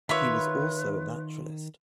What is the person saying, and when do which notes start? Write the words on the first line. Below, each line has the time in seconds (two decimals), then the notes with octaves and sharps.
He was also a naturalist.
0.09 D#3 F4 B4 C#5 E5 B5